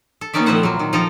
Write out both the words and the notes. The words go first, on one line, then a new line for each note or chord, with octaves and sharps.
"You need one."
A4
D#3 B3 C#4 D#4 D5 E5
A#2 F3 C4 E4 C5 F#5
F#3 A#3
D#3
F3 D#4 F4 A4 A#4